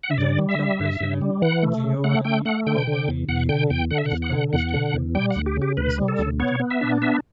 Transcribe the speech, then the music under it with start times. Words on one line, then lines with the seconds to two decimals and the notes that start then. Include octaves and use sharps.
Then-club president Giovanni Cobolli Gigli described the stadium as "a source of great pride".
0.03 F#5
0.11 E5
0.18 G2 D5
0.38 G3
0.49 E5
0.59 G3
0.80 G2
1.00 G2
1.21 G3
1.42 E3 F#5
1.63 A3
1.84 C#3
2.04 A3 F#5
2.24 A3 G5
2.45 A3 F#5
2.67 D3 G5
2.87 D3
3.08 E2
3.28 E2 F#5
3.49 D3 G5
3.70 E2 G5
3.91 D3 F#5
3.98 E5
4.06 F#5
4.11 E2
4.22 F#5
4.32 D3
4.53 E2 F#5
4.74 D3
4.94 E2
5.15 G3 G5
5.31 F#5
5.36 D2
5.46 G4
5.57 C#3 G4
5.77 D2 B4
5.98 G3
6.08 A4
6.19 D2
6.40 B3 C#5
6.60 B3
6.70 E5
6.81 D4
7.02 B3 E5